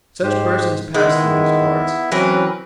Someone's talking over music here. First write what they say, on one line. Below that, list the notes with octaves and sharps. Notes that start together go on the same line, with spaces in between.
Such persons pass through these parts.
G#2 G4 C5
D#3 G#3 B3 E4 E5
E3 F#3 C4 C#4 A#4 B4